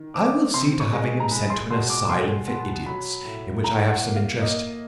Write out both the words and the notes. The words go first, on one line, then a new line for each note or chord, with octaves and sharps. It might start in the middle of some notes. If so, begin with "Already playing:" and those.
I will see to having him sent to an asylum for idiots in which I have some interest.
Already playing: D#3
C4 D6
C3 C6
C#6
G#3
A#5
G#3 B5
C6
B2 C6
D6
B2 C6
B3
F#3 B5
A2
A2 A#5
F#5
A#3
F5
A#3 D#5